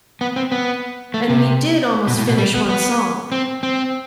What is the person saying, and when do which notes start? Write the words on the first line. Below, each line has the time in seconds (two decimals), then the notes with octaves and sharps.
And we did almost finish one song.
0.21 B3
0.36 C4
0.52 B3
1.14 A3
1.30 C3
2.07 B2
2.18 A2
2.28 B2
2.38 G3
2.54 B3
2.69 B3
3.32 C4
3.63 C4